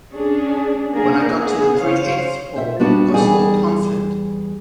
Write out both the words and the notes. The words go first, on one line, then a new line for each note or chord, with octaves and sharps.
When I got to the three-eighths pole I was a little confident.
C#4 D4 G#4
A#3 B3 D4 G#4 A#4
B3 G#4
C#3 C5 C#5 F5
C5 E5
G3 B3 D4 F#4
E2 G3 G#4 G#5